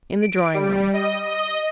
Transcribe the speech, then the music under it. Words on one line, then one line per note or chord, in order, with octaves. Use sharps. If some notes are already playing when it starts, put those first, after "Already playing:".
In the drawing-room.
D7
G3
D#5
D#5